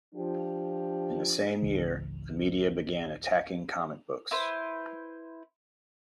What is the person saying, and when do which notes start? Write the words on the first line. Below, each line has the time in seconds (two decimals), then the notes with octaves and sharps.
In the same year, the media began attacking comic books.
0.15 F3 D4 F4 G4
1.62 G#1 C#2 C#3 E3
4.31 E4 B4 C5